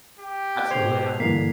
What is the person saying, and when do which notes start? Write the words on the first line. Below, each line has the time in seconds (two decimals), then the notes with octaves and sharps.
Absolutely not.
0.20 G4
0.71 G#2 B2 C5 G#6 C7 F7
1.20 G2 D3 E3 A#3 B6 C7 F7